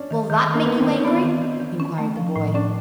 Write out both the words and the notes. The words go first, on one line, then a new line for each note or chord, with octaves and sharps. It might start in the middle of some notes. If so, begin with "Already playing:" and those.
"Will that make you angry?" inquired the boy.
Already playing: C#4 D4
D#3
D#3
D#3 A#3
D#3 B3
C4
D#3
C#4
B3 D4
D#3
D#3
D#3
C#4
A3
F3
A2
C#4 D4